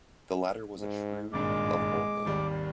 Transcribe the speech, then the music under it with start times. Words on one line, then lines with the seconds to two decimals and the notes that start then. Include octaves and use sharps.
The latter was a shrewd, lovable man.
0.79 G#2
1.33 G#1 G2 A#2 G#3 D6
2.26 G#1 D#2 G3